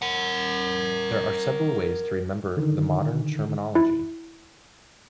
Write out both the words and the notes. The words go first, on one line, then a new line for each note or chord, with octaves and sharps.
There are several ways to remember the modern terminology.
A#4 F#5
D3 D#3
E4